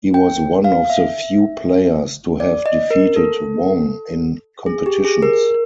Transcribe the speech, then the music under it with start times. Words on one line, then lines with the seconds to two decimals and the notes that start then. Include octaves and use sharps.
He was one of the few players to have defeated Wong in competitions.
0.14 G5
0.64 F5
0.90 E5
2.40 D5
2.66 D#5
2.91 A#4
3.16 A4
4.66 G#4
4.86 G4
5.05 G#4
5.22 A#4